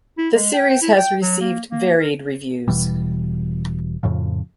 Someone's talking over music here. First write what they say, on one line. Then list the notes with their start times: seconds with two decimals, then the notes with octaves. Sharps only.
The series has received varied reviews.
0.18 E4
0.35 G#3
0.54 G5
0.82 E4
0.98 G5
1.22 F#3
1.41 A#3
1.71 A#3
1.99 A#4
2.68 E1 B2 E3 G3
4.03 F2 A2 C#3 F3